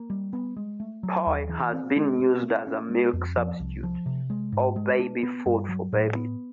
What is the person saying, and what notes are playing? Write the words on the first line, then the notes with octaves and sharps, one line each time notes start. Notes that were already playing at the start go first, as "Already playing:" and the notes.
Poi has been used as a milk substitute or baby food for babies.
Already playing: A#3
G3
B3
G#3
A3
F#3
D#2
E3
C4
G#3
C4
A3
C#4
G#3
F2
F3
C2
F3
C3
G#3
G#2
G#3
D4
B3
G2
F#3
A2
B3